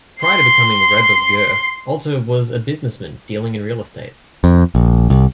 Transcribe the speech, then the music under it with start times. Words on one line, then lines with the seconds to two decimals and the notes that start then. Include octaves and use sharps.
Prior to becoming Rebbe of Ger, Alter was a businessman dealing in real estate.
0.22 C6 C7
4.44 F2
4.75 A#1
5.10 C2